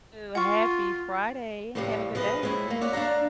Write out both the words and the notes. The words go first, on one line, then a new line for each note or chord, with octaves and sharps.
Happy Friday. Have a good day.
F4 F#5 C#6
A2 C3 D#3 F3 G3 A3
F3 G#4 B4 D#5
F3 G#3 C4 E4 C#5
A3 A#3
C#5 D5 E5 F#5
D4 E5 F5 A#5